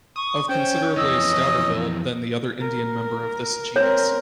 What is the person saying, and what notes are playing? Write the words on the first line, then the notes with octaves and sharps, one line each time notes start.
Of considerably stouter build than the other Indian member of this genus.
C#6 D#6
C#4 C5 G5
F2 E3 D#5 E6
A#4
C4 A#4 C#5